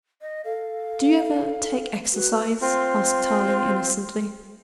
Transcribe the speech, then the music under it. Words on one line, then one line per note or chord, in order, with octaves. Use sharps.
"Do you ever take exercise?" asked Tarling innocently.
D#5
A4 F5
F#4 B4
C4 F4